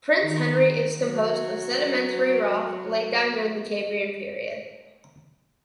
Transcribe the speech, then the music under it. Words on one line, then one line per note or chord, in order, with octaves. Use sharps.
Prince Henry is composed of sedimentary rock laid down during the Cambrian period.
D#3
F#3